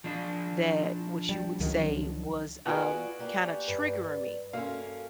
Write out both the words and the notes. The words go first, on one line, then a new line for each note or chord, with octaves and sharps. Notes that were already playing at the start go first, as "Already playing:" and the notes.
that which you would say was, um, kinda triggering me.
F3 D4
G3
C#2 D#3 F#3
B3 F4 F#4 G#4 B4 D5
A#3 G4 D5
G2 B4
D5
A#3 C#4 F#4 A4 E5 F5 C6